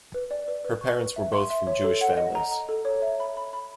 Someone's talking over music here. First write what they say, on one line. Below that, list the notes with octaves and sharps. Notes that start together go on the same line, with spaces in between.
Her parents were both from Jewish families.
B4
D5
B4
B4
C#6
B4
E5
C6
E5
C#5
A4
F#5
D#5
A#5
A#5
A4
C#5
E5
B5
B5
B5